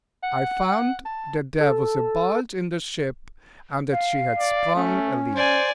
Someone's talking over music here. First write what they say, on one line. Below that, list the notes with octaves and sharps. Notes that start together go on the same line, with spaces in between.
I found that there was a bulge in the ship, and that she had sprung a leak.
F#5
A5
A4
F5
D5
A3 C#4
C5 D5 G#5